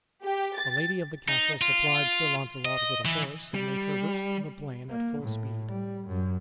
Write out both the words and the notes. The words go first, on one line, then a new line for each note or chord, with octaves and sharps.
The lady of the castle supplied Sir Launcelot with a horse and they traversed the plain at full speed.
G4
A6
D#4
F4
D#5
E3
G3
A#3
A2
G3
F#2